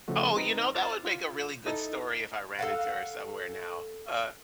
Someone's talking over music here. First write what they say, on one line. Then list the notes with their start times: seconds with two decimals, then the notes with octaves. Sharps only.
oh, you know, that would make a really good story if I ran into her somewhere now, uh
0.08 C#3 F3 A3 F#4
0.36 C4 D#4 B4 A#5
0.75 F4 C5 D6 F6 A6
1.05 F4
1.66 D#4 E4 A4 D#5
2.59 A4 F5 F#5